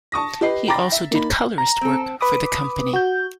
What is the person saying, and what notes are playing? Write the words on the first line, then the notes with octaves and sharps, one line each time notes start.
He also did colorist work for the company.
A5 C#6 D#6 A#6
G4 B4 D#5 C7
G5 A#5 B5 D6 A6 A#6
E5
A#3 D#4 B5
A#5
C4 A4
B4 B5 D6 D#6
F#4 G6